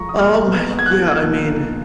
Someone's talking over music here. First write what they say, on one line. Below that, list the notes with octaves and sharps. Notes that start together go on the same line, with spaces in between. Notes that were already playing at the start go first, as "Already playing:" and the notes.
Um, yeah. I mean,
Already playing: F3 G#3 A#5 C#6
D#6
A#2 F6
B3
G#3
G#6
F#6
G#6
F3
A#2